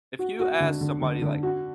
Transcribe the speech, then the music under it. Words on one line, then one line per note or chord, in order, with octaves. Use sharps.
If you ask somebody, like
F#4
F#4
D3
D3
D3
D3
F#4